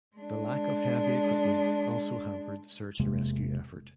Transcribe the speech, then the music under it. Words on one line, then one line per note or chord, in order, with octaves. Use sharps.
The lack of heavy equipment also hampered the search and rescue effort.
G#3 D4
E1 C3 G#3 A#3